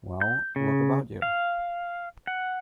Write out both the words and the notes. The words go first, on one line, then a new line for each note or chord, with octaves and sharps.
Well, look about you.
G6
C#3
F5
F#5